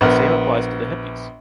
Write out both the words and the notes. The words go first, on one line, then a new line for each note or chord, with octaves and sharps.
The same applies to the hippies.
A#1 B3 A#4